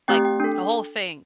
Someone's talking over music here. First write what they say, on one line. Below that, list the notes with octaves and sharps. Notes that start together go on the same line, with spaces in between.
like, the whole thing,
A3 C4 G4 G5
G5
D4 A4